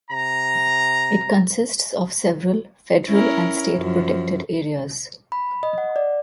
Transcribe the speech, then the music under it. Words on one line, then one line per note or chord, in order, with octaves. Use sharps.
It consists of several federal and state protected areas.
C3 A#5
C#4 E4 A#4
F#2 F3
B5
D#5
F#5
D5